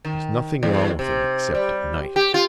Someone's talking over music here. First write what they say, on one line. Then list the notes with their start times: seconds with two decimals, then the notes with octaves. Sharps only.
There's nothing wrong with him except at night.
0.05 D#3
0.63 E2
0.99 C3
1.55 G3
2.16 G4
2.34 F4